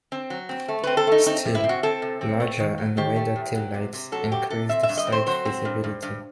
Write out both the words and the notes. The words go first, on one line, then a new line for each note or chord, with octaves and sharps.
Still larger and wider taillights increased side visibility.
C4
F#3
C4
A3
C4 B4
A4
A3 D#4
C4 D#4
C3
E4
C4
F#4
C4 A4
C3
C4
A3
D#3
F#3
D#3 G4
A3
E2
F#3
C3
C3
F#3 A4
A3 G4
C3 A4
C4 E5
E5
G2
D#5
C4
C5
F#3 C5
C4
G2
G2
G2